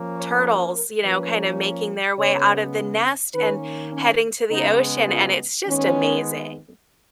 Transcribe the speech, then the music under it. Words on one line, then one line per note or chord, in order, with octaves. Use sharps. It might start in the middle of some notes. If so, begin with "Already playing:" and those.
turtles, you know, kind of making their way out of the nest and heading to the ocean, and it's just amazing.
Already playing: F3 A#3 C#4
C#5
B4
A#4
F3 A#3 C#4 B4
C#3 G#3 B3 C#5
D#3 A#3 C#4 B4
C#4
C#3 G#3 B3 D#4
F4
D#3 G#3 B3 C#4